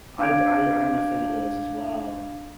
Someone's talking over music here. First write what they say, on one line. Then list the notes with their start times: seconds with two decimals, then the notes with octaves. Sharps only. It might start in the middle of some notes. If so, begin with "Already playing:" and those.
I'd I I am a fan of those as well.
0.19 D4 F5 D6 G6 G#6 D7